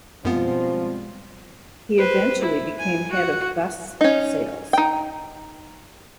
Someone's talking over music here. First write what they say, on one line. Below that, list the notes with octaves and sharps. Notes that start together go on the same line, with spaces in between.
He eventually became head of bus sales.
F#2 B2 F3 G3 G#3 B3 C4 F4
B4 C5
E4
G#5
F#4 F#5
C#4 D#4
D#4 G5